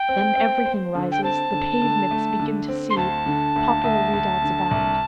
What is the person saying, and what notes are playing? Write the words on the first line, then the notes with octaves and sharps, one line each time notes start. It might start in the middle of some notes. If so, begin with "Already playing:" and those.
Then everything rises, the pavements begin to seethe, popular redoubts abound.
Already playing: G5
C4
C4
C5
D3
G5
C4 A5
D3
D3
A3
D3
C4
C6
D2 A5
D3
D2
D2
D2
D3
C2